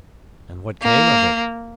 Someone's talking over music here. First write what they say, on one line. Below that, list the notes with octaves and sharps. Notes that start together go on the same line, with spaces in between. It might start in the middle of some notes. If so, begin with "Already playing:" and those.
"And what came of it?"
A#3